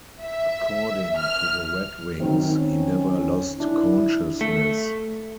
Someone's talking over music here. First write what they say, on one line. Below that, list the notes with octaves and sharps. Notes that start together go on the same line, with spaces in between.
According to the Red Wings, he never lost consciousness.
E5
F6
F#2 D#3 C4
C#4
D4 E4
A3